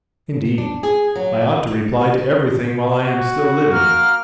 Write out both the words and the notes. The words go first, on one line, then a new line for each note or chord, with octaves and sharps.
Indeed, I ought to reply to everything while I am still living.
D4
G#4
F#3
F#4
A#3 F6